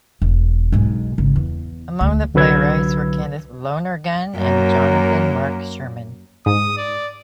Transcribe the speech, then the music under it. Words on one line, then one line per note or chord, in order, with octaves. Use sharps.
Among the playwrights were Kenneth Lonergan and Jonathan Marc Sherman.
E1
B1 G#2
G#1 C#3
E2
D2
C2 D3 F#3 B4 E6 G#6
F#2 A#3
G#2 D#6
D5